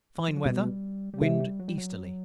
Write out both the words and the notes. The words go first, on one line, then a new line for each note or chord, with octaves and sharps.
Fine weather: wind easterly.
E3
F3
F#3
B2 G3
G3
C3 G#3
G3
F#3
G3
F#3